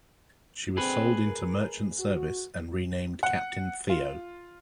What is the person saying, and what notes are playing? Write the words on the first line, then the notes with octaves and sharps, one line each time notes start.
She was sold into merchant service and renamed Captain Theo.
B2 D3 C4 G#4 B4
A#4
F#4
F#5
F4